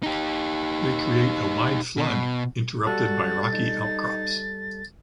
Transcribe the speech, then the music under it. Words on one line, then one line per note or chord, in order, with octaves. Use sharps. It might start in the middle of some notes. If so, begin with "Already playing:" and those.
They create a wide flood, interrupted by rocky outcrops.
D#4 G4
B2
G3 F#4 A4 A6
D#4